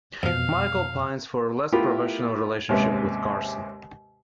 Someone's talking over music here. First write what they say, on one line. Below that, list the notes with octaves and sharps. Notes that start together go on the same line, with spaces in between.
Michael pines for a less-professional relationship with Carson.
F2 G#2 B2 F3 F5
A3 B3 E4 F4 G4 A#4
D#2 G#2 C3 G#3 C#4 B4